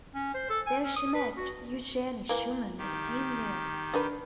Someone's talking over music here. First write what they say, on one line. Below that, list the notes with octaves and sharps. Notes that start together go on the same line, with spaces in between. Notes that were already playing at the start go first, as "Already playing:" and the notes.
There she met Eugenie Schumann the same year.
C#4
C5
A4
G#5
C#4
D#6
B4
F#4
E3 A#3
D#3 G4
D4 A#4 B4